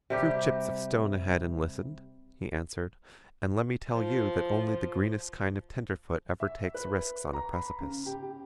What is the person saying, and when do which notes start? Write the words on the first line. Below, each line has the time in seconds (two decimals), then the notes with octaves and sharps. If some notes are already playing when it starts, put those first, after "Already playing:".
'Threw chips of stone ahead and listened,' he answered, 'and let me tell you that only the greenest kind of tenderfoot ever takes risks on a precipice.'
0.10 C3 G3 G4
3.94 F3
6.40 E5
6.75 B4
7.33 A#5
7.53 B5
7.80 C#3
8.06 G4
8.23 G4